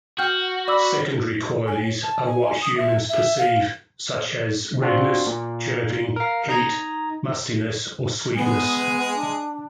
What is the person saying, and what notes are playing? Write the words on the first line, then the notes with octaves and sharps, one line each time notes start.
Secondary qualities are what humans perceive such as redness, chirping, heat, mustiness or sweetness.
F#4 G5 F6 G6
D5 B5 D6 E6
G#5
C#5
A5
G#5
D#6
E5
E5
F5
C4 D4 F4 F#4
A#2
A#4 F5
D#4 D#5 A#5 G#6
G#3 B3 G#4
D4